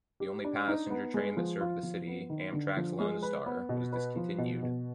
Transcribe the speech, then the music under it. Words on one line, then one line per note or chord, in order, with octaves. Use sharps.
The only passenger train that served the city, Amtrak's Lone Star, was discontinued.
G4
D4
D#4
B3
G#3
F3
F4
F3
B3
D#3
D3
F3
G#3
B4
B3
B2
B4
F3
B2
B2